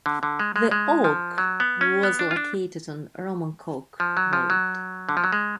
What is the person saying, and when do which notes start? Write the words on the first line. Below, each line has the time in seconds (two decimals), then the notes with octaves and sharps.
The oak was located on Romancoke Road.
0.06 D3
0.23 D3
0.39 G#3
0.56 G#3
0.71 G#3
1.04 F3
1.38 F#3
1.60 B3
1.81 C#4
2.03 B3
2.19 D4
2.31 F4
2.36 D4
4.00 F3
4.17 F#3
4.33 F3
4.50 F#3
5.09 D3
5.17 F3
5.24 F#3
5.32 G#3